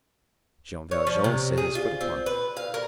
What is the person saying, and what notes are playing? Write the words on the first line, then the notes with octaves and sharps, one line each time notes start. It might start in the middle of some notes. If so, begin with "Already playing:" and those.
Jean Valjean set his foot upon it.
C#5
F3
C3
G#4
F4
C4
B4
F5
A#4